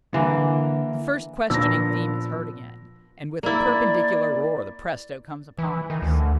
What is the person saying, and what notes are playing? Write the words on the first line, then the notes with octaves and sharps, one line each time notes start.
The first questioning theme is heard again, and with a perpendicular roar the presto comes upon us.
D3 E3 A#3
A#2 F3 B3 D4 E6 A#6
A#3 E4 D5
E3
D#3
D2